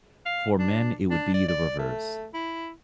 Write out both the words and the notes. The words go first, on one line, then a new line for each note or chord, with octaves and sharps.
For men, it would be the reverse.
F5
D4
D4
D5
D5
A3
E4